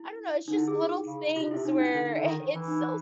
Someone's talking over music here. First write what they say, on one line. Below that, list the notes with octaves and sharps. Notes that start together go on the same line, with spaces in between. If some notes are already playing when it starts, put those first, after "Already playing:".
I don't know, it's just little things where it it's so
Already playing: E4
D3 D#4
E4
G#4
C#3
C3 F4
C3 E4
D#4
D4
D3
D3
D#3
E3
D#4